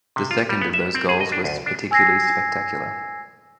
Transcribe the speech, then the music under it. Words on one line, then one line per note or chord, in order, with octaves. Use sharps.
The second of those goals was particularly spectacular.
C3
F4
G3
B3
E5
C4
G#4
D#5
D4
D2
D4
G#5 E6 G#6 A#6 C7